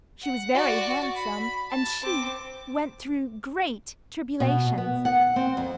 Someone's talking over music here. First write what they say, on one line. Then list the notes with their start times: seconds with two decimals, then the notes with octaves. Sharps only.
She was very handsome and she went through great tribulations.
0.22 F#5
0.54 F#4 D5
1.15 B5
1.70 A5
2.02 C4 D6
4.40 B2
4.78 B3
5.05 F#5
5.36 C4
5.57 F2